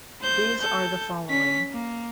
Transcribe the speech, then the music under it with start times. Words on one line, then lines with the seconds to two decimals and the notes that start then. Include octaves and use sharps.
These are the following.
0.22 C5 G6
0.61 A4 G6
1.29 C#4 B6
1.71 A#3